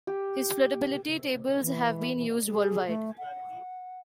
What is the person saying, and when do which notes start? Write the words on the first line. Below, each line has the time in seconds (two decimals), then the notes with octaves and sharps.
His floodability tables have been used worldwide.
0.07 G4
1.62 E3
2.49 G#4
2.88 A3
3.18 F#5